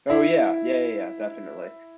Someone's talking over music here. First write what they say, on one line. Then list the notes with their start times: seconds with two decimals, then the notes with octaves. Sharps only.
Oh, yeah. Yeah, yeah, yeah, definitely.
0.10 E4